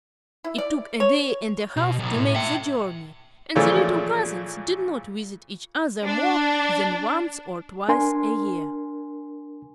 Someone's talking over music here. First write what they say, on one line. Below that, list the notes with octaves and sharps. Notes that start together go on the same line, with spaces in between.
It took a day and a half to make the journey, and the little cousins did not visit each other more than once or twice a year.
E4
D5
C#5
B2
B1
A2
E5 G5
A#2 C#3 E3 F3 A3
D4
D4 A#4 G#5 C6